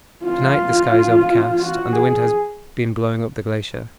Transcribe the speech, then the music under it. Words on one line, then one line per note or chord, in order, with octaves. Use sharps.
To-night the sky is overcast and wind has been blowing up the glacier.
F4
F#4
G#4